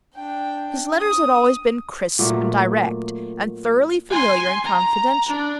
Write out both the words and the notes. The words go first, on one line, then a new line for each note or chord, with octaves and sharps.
His letters had always been crisp and direct, and thoroughly familiar and confidential.
D4 G5
D#6
A#2 F#3 A3
G#5 C6
A#5
D4